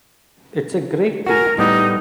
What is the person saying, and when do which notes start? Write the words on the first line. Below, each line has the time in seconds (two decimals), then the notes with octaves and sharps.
It's a great take.
1.26 F#4 A#4 G#5
1.58 A2 G3 B3 D#4